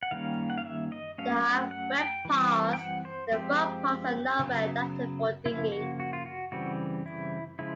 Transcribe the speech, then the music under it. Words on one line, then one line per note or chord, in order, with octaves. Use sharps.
They have webbed paws and their front paws are not well adapted for digging.
F#5
D#3 G3 A#3 C#4 F5
F#5
F5
E5
D#5
F#3 A3 C#4 F5
F#5
F#5
G5
E3 G3 C4
G5
F#5
C5
F3 G#3 C4 G4
C#3 F#3 B3
C#3 F3 A#3 E4
F#4
F#4
F4
F#4
C#3 E3 G3 C4 F#4
E4
C#3 F3 G#3 E4